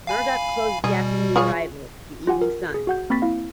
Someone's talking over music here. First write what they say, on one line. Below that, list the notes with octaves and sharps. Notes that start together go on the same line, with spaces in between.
Murdoch closed the afternoon rival "The Evening Sun".
F5 G#5 B5
B2 G3 G#4
F4 G#4 C#5
F4 G4 F#5 G#5
A#4
G#4
F#4 F#5 G6
A#3 C4 B5 C#6 A6 B6
E4 F5